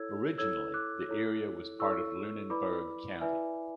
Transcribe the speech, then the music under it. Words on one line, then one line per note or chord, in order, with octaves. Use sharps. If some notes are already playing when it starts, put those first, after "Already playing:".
Originally the area was part of Lunenburg County.
Already playing: E4 A4 C#5 E6 G#6
E4 A4 C#5 E6 G#6
D6 F#6
E4 A4 C#5
E4 A4 C#5 C#6 E6
E4 B4 D5 B5 D6
E4 B4 D5 E5 G#5